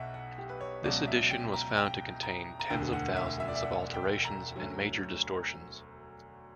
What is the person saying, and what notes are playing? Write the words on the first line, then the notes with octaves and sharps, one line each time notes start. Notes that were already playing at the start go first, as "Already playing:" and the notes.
This edition was found to contain tens of thousands of alterations and major distortions.
Already playing: B1 B2 E5 F#5
F#5
G4
B4
C#5
C#2 B2 F#3 D5
D5
E5
G5
A#5
G5
A#5
A#5
E1 D2 D3 G5
F#5
E5
E5
D5
E5
F#5
G5
A#5
D2 D3 F#3